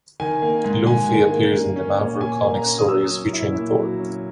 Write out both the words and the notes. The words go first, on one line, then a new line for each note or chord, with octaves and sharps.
Laufey appears in the Marvel Comics stories featuring Thor.
D#3 G#5
A#3
G#2
G#2 G#5
D#3
A#3
A#3
C#4
A#2
A#2 G#5
A#3
A#5
C#4
D#6
F#3 E6
C#4
E4
A#2
F#3
C#4